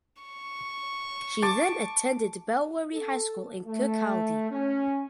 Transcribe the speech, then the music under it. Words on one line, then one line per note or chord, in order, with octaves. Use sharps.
She then attended Balwearie High School in Kirkcaldy.
C#6
A5 D6
A4
A3
C#4